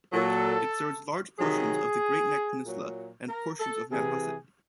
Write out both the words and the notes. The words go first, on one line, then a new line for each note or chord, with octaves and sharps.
It serves large portions of the Great Neck Peninsula and portions of Manhasset.
A#2 F#3 A4
C3 D#3 F#3 G#4
A#2 F#3
A#4
A4
C3 E3 G#4